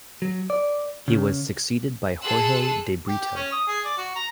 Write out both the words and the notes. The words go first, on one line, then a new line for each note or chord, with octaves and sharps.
He was succeeded by Jorge de Brito.
F#3
D5
C#3
G#4 A4 C6 E6 F#6
G4
G4
C#4
D#6
G#4
D5
F#4
A#5